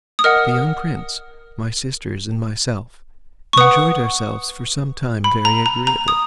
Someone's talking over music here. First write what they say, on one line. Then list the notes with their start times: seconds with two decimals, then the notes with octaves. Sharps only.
The young prince, my sisters and myself, enjoyed ourselves for some time very agreeably.
0.19 D#6
0.24 A#4 D#5 F#5 F6
3.53 C#6
3.57 B4 F#5 D#6
5.24 B5
5.45 A#5
5.66 A#5
5.87 A#5
6.08 D#6